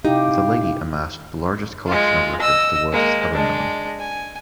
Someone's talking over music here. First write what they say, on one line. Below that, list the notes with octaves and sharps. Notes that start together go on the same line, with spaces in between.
The lady amassed the largest collection of records the world has ever known.
C3 D#4 E4 G4 F5
G#3 F4
D#5 E6
G#3 A#3
G#3 D4
G#5